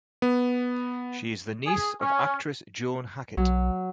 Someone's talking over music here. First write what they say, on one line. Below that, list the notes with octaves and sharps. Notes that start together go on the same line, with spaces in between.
She is the niece of actress Joan Hackett.
B3
G#4
C#4
B1 F#3